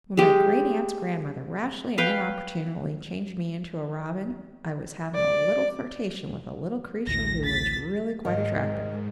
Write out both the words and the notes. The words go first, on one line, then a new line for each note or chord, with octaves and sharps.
When my great-aunt's grandmother rashly and inopportunely changed me into a robin, I was having a little flirtation with a little creature who was really quite attractive.
G#3 G4
B4 F5 G5
D5
A1 D2 A2 A#6
A6 B6
G#2 D#3